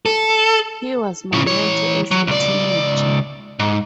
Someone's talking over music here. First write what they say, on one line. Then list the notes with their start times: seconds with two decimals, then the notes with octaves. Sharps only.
He was my mentor as a teenager.
0.06 A4
1.33 A2 C#3
1.47 E3 C#5
2.11 F#3
2.27 C#2 D5
3.59 G#2